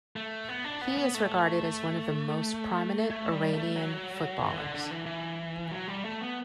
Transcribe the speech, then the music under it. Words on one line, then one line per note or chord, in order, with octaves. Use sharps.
He is regarded as one of the most prominent Iranian footballers.
A3
B3
D4
B3
B3
A3
A3
G3
A3
F#3
E3
D3
D3
E3
E3
F#3
G3
A3
B3